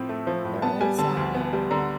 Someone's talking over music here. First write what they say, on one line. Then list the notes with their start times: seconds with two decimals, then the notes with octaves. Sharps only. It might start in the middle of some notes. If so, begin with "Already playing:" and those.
Their own sauna.
Already playing: A2 F3 C4
0.09 A3
0.27 F3
0.45 A2
0.62 B3 A5
0.81 G3 G#5
0.98 D3 A5
1.17 D2
1.35 B3
1.53 G3
1.70 D3 A#5